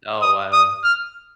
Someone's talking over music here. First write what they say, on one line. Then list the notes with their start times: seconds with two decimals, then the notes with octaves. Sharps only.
Oh wow,
0.22 D#6
0.53 D#6
0.84 F6